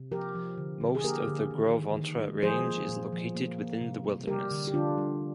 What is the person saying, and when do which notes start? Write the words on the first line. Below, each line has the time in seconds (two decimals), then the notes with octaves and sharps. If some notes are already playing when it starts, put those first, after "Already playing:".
Most of the Gros Ventre Range is located within the wilderness.
Already playing: C3
0.11 F3 G4 A#4
0.35 F3
0.58 D3
0.81 D3
0.95 G#4
1.04 A#3 G4 A#4
1.28 D3
1.51 D#3
1.73 D#3
1.96 D#3
2.19 G#3
2.43 F3 G#4 C5
2.66 A#3
2.89 A#2
3.12 F3
3.35 A#3
3.58 A#3
3.81 C3
4.04 G3
4.27 G3 G4 A#4
4.51 D3
4.68 G4
4.74 D3 D4 F4
4.97 G3